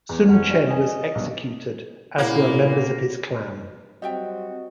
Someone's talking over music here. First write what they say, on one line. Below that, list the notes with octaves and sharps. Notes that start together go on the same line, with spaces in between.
Sun Chen was executed, as were members of his clan.
E2
F#1 C#4 F#5
G3 D4
C#5 D#5 G#5
B1 G2
A#2 C#3 A#3 B3 E4
F#3 G3 C4 F#4 G4 D#5 E5 G5